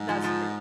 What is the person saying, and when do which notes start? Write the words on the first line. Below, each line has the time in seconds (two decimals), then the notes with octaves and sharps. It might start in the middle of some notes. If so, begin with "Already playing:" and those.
That's true.
Already playing: G#2
0.09 F3
0.24 F3